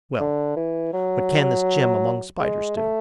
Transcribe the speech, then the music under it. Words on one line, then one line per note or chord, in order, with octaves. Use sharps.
Well, what can this gem among Spiders do?
D3
E3
F#3
G#3
A3